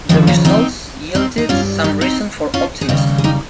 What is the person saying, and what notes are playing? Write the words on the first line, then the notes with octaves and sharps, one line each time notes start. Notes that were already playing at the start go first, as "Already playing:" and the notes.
The results yielded some reason for optimism.
D#2 C#3 F3 G#3 C4
A#3 C#4
C4 D#4
C4 D#4
D#4
G2 G3 C#4 F4
D#4 G4
C4 D#4
C#4 F4
G#4
D#2 C#3 G3 D#4 G4
G#4
D#4 G4